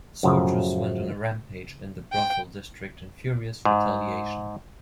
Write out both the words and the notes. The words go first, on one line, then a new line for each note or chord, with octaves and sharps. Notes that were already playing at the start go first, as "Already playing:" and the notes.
Soldiers went on a rampage in the brothel district in furious retaliation.
F#2 A2 C#3 F3 F#3
G5
G#2